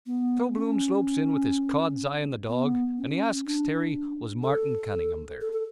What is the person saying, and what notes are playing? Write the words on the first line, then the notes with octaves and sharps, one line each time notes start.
So Bloom slopes in with his cod's eye on the dog and he asks Terry was Martin Cunningham there.
B3
C#4
B3
C#4
D4
A4
A4
A4